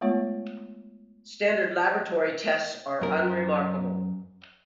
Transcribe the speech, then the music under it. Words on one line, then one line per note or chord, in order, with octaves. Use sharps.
Standard laboratory tests are unremarkable.
G#3 A3 B3 F4 C#5
F#2 A#4